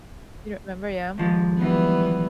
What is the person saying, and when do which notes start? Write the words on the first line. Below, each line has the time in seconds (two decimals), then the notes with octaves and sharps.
You don't remember, yeah?
1.18 D#2 F3 G#3
1.57 E3 G3 B3